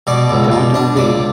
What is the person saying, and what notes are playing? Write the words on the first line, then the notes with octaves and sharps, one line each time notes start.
Don't don't be
B2 D5
C#2
B2
D4
C#2 D5